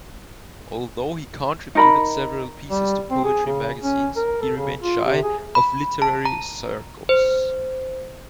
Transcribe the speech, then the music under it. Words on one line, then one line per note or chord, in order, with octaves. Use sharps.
Although he contributed several pieces to poetry magazines, he remained shy of literary circles.
D#4 A#4 B5
G3
C4
G#4
C#3
C#4
A#4
A4
C#3
F4
C3
G#4
B5
A5
A#5
C5